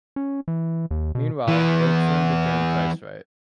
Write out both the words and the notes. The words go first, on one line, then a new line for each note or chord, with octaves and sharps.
Meanwhile, Wakefern began PriceRite.
C#4
E3
D#2
B2
E3 B3